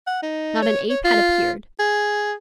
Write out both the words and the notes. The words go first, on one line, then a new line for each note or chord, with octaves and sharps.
Not an ape had appeared.
F#5
D#4
C#5
C#5
F4
G#4